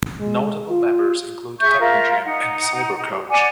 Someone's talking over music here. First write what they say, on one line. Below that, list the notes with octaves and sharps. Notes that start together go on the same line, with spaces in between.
Notable members include Technogym and Cyber coach.
G#3
F4
G#4 E5 C#6 G6
F4 A#4 E5 F5
D#4 F#5
D5 F#5 G#5 D6